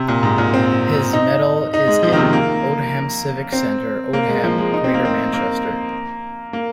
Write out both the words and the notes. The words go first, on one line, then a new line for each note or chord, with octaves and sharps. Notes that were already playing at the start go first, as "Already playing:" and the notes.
His medal is in Oldham Civic Centre, Oldham, Greater Manchester.
Already playing: C3
A#2
G#2
A#2
C4
D#4
D#4
G#3
F3
D#3
C3
A#3
C4
A#3
G#3
F3
G#3
D#4
C4
A#3
C4
A#3
A#3